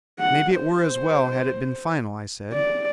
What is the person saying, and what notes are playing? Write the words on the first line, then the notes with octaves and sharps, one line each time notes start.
"Maybe it were as well had it been final," I said.
F#5
C5
D5